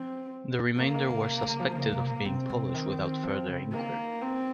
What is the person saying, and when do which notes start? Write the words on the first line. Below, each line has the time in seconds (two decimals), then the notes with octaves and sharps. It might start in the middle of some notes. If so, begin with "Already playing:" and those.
The remainder were 'suspected' of being Polish, without further inquiry.
Already playing: F3 C4
0.77 C#3 A#3
0.94 D#3
1.11 C#3
1.26 C3
1.43 C#3
1.60 F3
1.76 C#3 A#3
1.92 C3
2.09 A#2
2.25 C3 C4
2.50 C3
2.74 D#3
3.23 F3
3.48 C#3
3.73 D#3 A#3
4.22 C4